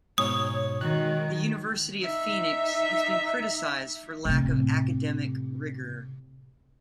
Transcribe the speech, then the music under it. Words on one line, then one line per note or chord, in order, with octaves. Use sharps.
The University of Phoenix has been criticized for lack of academic rigor.
G#2 B2 C#5 C#6 D#6
D#3 G#3 F#4 F#6
D#4 E5
A2 C3